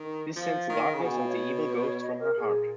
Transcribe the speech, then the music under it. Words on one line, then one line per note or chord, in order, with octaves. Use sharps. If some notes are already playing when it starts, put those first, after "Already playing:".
This sends the darkness and the evil ghosts from her heart.
Already playing: D#3
F3 F5
D#3
C#3
G#5
B2 F#5
G#5
F5
C#5
B4
C#5
D#5
A#4
A#2 G#4